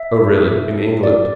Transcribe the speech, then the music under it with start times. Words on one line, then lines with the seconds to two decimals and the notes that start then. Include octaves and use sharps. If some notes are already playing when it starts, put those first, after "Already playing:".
"Oh, really--in England?"
Already playing: E5
1.03 D5